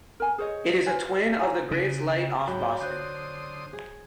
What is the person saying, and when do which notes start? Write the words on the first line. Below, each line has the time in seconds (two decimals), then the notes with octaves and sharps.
It is a twin of the Graves Light off Boston.
0.20 A#4 G#5
0.38 G#4 C5 C#5 D#5
0.86 F4 B4 G#5
1.37 E4 G#5 A#5
1.71 C#3
2.47 G#2 F#3 G5 B5
2.81 D3 C5 C6 D#6 F#6 G6
3.73 G#4